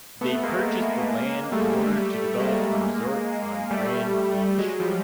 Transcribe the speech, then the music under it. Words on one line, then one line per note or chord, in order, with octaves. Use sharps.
They purchased the land in order to develop a resort on Grand Beach.
A3 B3
G#3 A#3
G3 A3
G#3 A#3
G3 A3
F#3 G#3
F3 G3